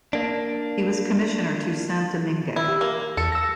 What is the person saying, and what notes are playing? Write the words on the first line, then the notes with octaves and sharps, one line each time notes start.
He was commissioner to Saint-Domingue.
A#3 D4
E4
G4
A#3
E2 A4 C#7
E6 A#6